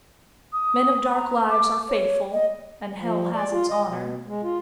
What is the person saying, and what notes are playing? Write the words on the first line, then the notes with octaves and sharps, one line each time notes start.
Men of dark lives are faithful, and hell has its honour.
D#6
A#5
D6
C#5
D#5
F3
D5
F4
D#5
B2
G#3
F4